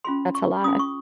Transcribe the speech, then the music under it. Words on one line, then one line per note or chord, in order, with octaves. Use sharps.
That's a lot.
C#4 F4 G#4 C6
C#6
C#4 F4 G#4 D#6
C#6